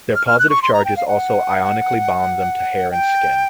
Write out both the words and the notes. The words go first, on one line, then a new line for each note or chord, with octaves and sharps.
Their positive charges also ionically bond them to hair and skin.
F6
F6
F#6
C#6
C6
A#5
G5
F5
F#5
G5